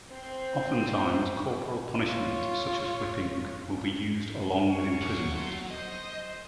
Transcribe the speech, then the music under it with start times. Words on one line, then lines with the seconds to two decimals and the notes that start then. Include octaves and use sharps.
Oftentimes, corporal punishment, such as whipping, will be used along with imprisonment.
0.11 C4 C5
2.04 F4 C#5
4.69 F5 G#5 C#6
5.01 F#3
5.33 A3 C6
5.70 C5 D#5